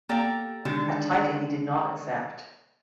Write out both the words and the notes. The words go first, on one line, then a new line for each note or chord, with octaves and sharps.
A title he did not accept.
A#3 G4 A4 D5 G5 A#5
D3 D#3 G#3 D4 G4